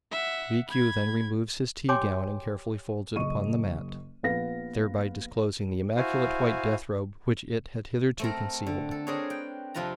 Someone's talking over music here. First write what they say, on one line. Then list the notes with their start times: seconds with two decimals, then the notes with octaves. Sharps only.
Rikiu then removes his tea-gown and carefully folds it upon the mat, thereby disclosing the immaculate white death robe which it had hitherto concealed.
0.11 E5 F#5
0.68 B5 G#6
1.89 G4 C#5 G5 G#5 C6 D6
3.16 F#1 D#5 C#6 D#7
4.23 A#1 B3 B4 F5 A#6
5.96 E4 F#4 C5 F5 G#5
8.19 A3 C4 A#4
8.67 D3
8.91 A4
9.07 C4 D4 G#4 A#4 B4 C#5
9.30 G5
9.74 F2 C3 F3 F4 B4 A#5